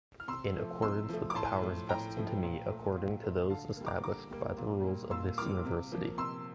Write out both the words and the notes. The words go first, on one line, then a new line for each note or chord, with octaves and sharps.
In accordance with the powers vested to me according to those established by the rules of this university.
F6
C3 C6 E6
F3 A3
C3 C6 E6
F3 A3
D6
A2 A5 C6
F3 A3
A2 G5 A#5
F3 A3
A#2
A3
A#2
A3
D3 F5 A5
G3 A#3
A#5 D6
D3 A#5 D6
G3 A#3
A#2
G3 A#3
A#2 C6 E6
G3 A#3 D6 F6
C3
F3 A#3
C3 C6 E6